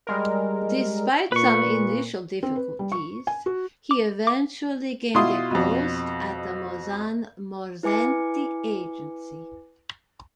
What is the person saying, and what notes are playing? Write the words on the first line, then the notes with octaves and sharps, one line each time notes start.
Despite some initial difficulties, he eventually gained a post at the Mauzan-Morzenti Agency.
G3 G#3 A#4
A#2 B4 C#6
C4
B4
G3
C#6
G#5
F#4
D6
D6
B2 E4 F4 C6 D#6
F2 B2
E4 B4 G#5 D6 C#7